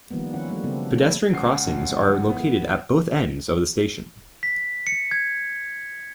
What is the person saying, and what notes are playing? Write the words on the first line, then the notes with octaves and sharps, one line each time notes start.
Pedestrian crossings are located at both ends of the station.
D#3 F3 G3 A#3 B3
D#3 F3 C#4 E4 F#5
E3 F3 G3 A3
C#3 F#3 A3 B3 C4
F#3
A3 E4
C#2 C#4 F#5 C7
A#2 G#3 D4
D#2 G#3
G1 G#2 F3
B3 E4
G#1 E2
B6
C#7
G#6